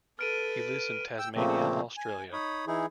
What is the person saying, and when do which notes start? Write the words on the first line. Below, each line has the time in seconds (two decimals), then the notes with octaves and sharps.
He lives in Tasmania, Australia.
0.19 A4 B4 F6 D7 D#7
1.18 G5 E6
1.36 A#2 C#3 F3 A3 A#3 C4
1.97 G#5
2.33 D#4 C#5 B5 D#6
2.67 E3 D#4 E4 G#4